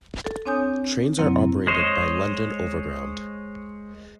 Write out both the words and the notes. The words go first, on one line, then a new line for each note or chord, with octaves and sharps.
Trains are operated by London Overground.
A4
C4 D4 C#5 G#5 D#6 G6
F#2 C3 F#3 A#3 C4 E4
G#3 C5 C#5 D#5